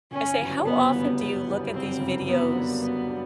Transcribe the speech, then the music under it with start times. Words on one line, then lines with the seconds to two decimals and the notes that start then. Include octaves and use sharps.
I say, "How often do you look at these videos
0.11 G1 C#4
0.38 F#2 C#3 E3 G3
0.65 G1 B3
0.93 F#2 C#3 E3 G3
1.19 G1 B3
1.46 F#2 C#3 E3 G3
1.73 G1 C4
2.00 F#2 C#3 E3 G3
2.27 F#2 B3
2.54 D3 G3 A#3 D4
2.81 F#2 B3
3.08 D3 G3